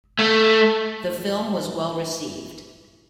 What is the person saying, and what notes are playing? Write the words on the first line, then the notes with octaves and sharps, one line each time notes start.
The film was well received.
A3